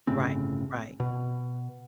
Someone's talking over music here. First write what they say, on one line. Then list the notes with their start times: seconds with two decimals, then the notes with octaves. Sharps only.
Right, right.
0.07 G1 A2 C#3 C4
1.00 B2